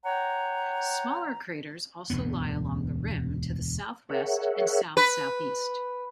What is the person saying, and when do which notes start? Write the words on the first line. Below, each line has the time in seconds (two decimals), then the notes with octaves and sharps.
Smaller craters also lie along the rim to the southwest and south-southeast.
0.06 C#5 F#5 G5 A#5
2.10 E1 D2 G2 B3
4.09 G#4 A#4 C#5 E5 F#5
4.97 B4